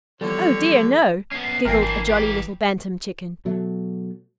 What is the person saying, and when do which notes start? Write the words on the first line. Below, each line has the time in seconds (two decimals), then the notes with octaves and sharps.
"Oh, dear, no!" giggled a jolly little Bantam Chicken.
0.21 E2 D3 F3 G3 A4 C#5
1.31 B3 C#4 C7
1.65 G#1 E2 A#4 G5 G#5
1.82 E3 D4
2.08 E3 G4
3.45 B2 F#3 A3